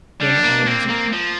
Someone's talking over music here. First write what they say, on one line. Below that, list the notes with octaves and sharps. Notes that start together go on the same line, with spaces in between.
Then all is over.
G3 D4
A#3
A#3 C4
A#3
F3